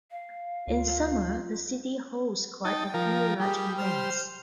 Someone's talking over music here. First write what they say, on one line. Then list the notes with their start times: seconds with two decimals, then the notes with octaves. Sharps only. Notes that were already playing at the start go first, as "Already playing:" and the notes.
In summer, the city hosts quite a few large events.
0.11 F5
0.67 D2 F4
2.65 D#4 G5 A5
2.94 F3 A#4
3.40 G3 G4 G#4
3.78 C5 C6 F6